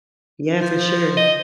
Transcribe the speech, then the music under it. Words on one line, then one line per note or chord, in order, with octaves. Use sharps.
Yeah, for sure.
F3
D#5